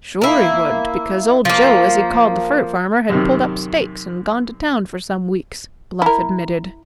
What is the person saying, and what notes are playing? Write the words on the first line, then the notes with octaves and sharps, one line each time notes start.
"Sure he would, because Old Joe, as he called the fur farmer, had pulled up stakes and gone to town for some weeks," Bluff admitted.
A#3 E4
F3 A#3
F#2 C3 D#3
E4 A#4